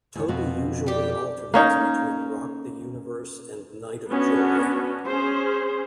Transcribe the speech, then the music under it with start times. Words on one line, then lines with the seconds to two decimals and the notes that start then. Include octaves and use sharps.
Toby usually alternates between Rock the Universe and Night of Joy.
0.15 E2 C#5
0.28 F2 B2 F#4
0.87 G3 G4
1.54 A#3 C#4 D#4
4.11 B3 C#4 D4 F#4
5.07 C#4 G#4 C5